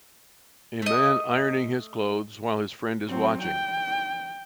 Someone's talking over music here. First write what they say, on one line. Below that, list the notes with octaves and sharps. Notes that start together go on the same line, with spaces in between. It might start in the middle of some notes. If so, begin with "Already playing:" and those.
A man ironing his clothes while his friend is watching.
A3 D#5
F#3 C4
G5